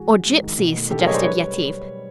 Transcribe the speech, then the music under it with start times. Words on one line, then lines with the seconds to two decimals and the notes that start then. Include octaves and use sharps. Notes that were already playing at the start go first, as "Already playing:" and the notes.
"Or gypsies" suggested Yetive.
Already playing: G#2 E3 F#4 G#4
0.09 G#3
0.26 G#2
0.42 D#3
0.58 B2
0.74 A3
0.90 B2 G4 A4
0.99 G#4 A#4
1.07 F#3 C#5 D#5
1.14 C5 D5
1.23 G3 B4 C#5